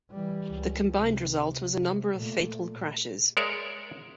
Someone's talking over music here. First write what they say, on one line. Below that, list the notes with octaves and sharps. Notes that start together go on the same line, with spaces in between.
The combined result was a number of fatal crashes.
E3 G3
C#2
C3
C3
A#2 A3
G#3 A#4 C#5 D5 E5